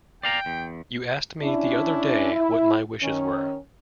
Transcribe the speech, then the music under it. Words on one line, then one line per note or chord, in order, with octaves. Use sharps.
You asked me the other day what my wishes were.
D5 F5 G5 A#5
E2
C#4 D4 E4
E4
D#3 C#4